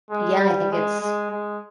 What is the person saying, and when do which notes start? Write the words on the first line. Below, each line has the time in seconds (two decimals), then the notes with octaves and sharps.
yeah, I think it's
0.10 G#3
0.40 G3
0.71 G#3
1.01 G#3
1.30 G#3